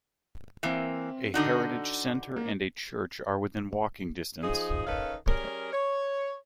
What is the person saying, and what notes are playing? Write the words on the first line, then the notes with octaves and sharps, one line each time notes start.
A heritage centre and a church are within walking distance.
E3 A#3 C4 E5
D3 D4 D#4 F#4
A#3
F3 D#4 G#4
D#3 C#4 D#4 A4 B4 F5
G3 C#4 G#4 A#4
C#5